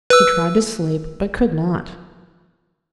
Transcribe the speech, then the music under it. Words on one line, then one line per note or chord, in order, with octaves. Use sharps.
She tried to sleep, but could not.
B4 E6